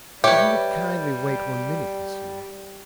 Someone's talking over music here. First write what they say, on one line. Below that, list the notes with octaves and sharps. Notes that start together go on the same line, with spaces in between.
'If you will kindly wait one minute, Miss Yule.
G3 G4 B4 C#5 E5